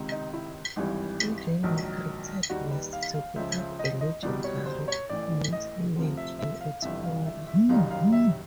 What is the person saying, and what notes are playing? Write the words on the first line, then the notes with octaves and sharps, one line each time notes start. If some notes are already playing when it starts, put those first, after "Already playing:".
He then migrated west to become a legendary "mountain man" and explorer.
Already playing: C#2 C3 D#3
D#4
E4
G#1 G2 E3 G3
A#1 G#2 D#3 F#3
D#2 D#3 G3 F#4
B4
F5
F5
C#2 C#3 F3 G#3 E5
E5
D#5
D#5
C2 B2 G3 D5
C#5
C5
C#5
A1 A2 E3 D5
D#5
D2 C3 F3
E5
E5
F5
G1 F2 C3 E3 E5
F5
E5
E5
F#1 F#2 D#3 G3 F5
F5
E5